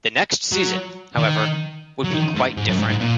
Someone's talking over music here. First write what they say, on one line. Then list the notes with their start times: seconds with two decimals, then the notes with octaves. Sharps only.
The next season, however, would be quite different.
0.52 F#3
1.18 D#3
2.04 F#3
2.14 D#3
2.35 G#2
2.57 G#2
2.68 F#2
2.78 G#2
2.89 G#2
3.00 A#2